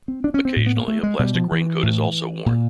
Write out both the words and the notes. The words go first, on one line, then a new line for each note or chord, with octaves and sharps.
Occasionally a plastic raincoat is also worn.
C4
D4
C#4
C4
A2
B3
A#3
A3
G#3
B2 G3
F3
E3
A2
A#2